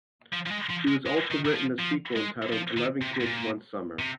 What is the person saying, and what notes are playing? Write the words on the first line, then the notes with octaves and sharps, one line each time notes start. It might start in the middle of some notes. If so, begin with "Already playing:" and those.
She has also written a sequel entitled "Eleven Kids, One Summer".
F3
F3
G#3
F3
G#3
G#3
D#3
D#3
F3
F3
G#3
F3
D#3
C3
G#2
A#2
C3